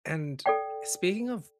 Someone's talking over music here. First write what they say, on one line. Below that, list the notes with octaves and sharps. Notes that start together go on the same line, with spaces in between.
And speaking of,
A4 D5 G5